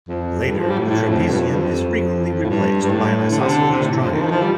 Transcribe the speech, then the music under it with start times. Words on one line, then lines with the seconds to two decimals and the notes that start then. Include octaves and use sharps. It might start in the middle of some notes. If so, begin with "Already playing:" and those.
Later, the trapezium is frequently replaced by an isosceles triangle.
0.08 F2
0.48 G2
0.58 F3
0.69 G3
0.79 A2
0.89 A2
1.09 F2
1.29 G2
1.39 F2
1.49 G2
1.59 F2
2.43 A2
2.50 G2
2.82 G2
2.90 A2
3.31 D3
3.39 C3
3.48 D3
3.71 C3
3.81 A2
4.01 F2
4.11 D#3
4.21 F3
4.26 D#3
4.31 F3
4.41 G3